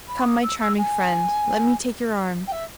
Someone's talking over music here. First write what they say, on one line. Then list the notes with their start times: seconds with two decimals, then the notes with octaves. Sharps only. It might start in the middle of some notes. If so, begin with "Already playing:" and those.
Come, my charming friend, let me take your arm.
0.08 B5
0.21 C#6
0.25 D#6
0.42 E6
0.60 E6
0.78 G#5
2.47 G5
2.52 E5